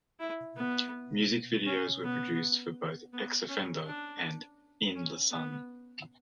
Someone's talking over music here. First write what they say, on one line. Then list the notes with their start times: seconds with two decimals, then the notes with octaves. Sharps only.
Music videos were produced for both "X Offender" and "In The Sun".
0.20 E4
0.57 B3
1.66 C#4
2.03 B3
3.13 B3
3.49 C#4
3.85 D4
4.95 C#4
5.31 B3